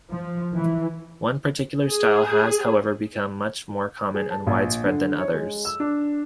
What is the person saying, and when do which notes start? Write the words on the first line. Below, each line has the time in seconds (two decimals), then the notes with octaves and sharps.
One particular style has, however, become much more common and widespread than others.
0.11 F3
0.54 E3
1.87 G#4
4.14 G#4
4.30 A5
4.47 A#1
4.85 D3
5.19 C#5
5.34 G#3
5.65 E6
5.80 D4